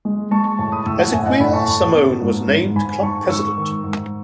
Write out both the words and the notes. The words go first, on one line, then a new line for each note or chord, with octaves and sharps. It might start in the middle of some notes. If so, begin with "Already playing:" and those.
Ezequiel Simone was named club president.
G#3
G#3 A5 C#6
A2 A5 C#6
B5 D#6
A2 C#6 E6
F#5 A5
A2 E5 G#5
D#5 F#5
A2 G#5 B5
A5 C#6
A2
B3
G#2
G#2
G#2 G#5 B5
G#2 A5 C#6
G#2 C#6 E6
D#3
G#2